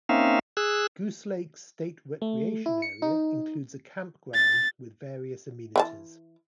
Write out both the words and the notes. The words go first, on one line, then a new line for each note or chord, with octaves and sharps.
Goose Lake State Recreation Area includes a campground with various amenities.
A#3 C4 C#4 D#4 E5 F5
G#4 E6 F#6
A3
E4
C#7
D#4
A6
E3 F#4 A5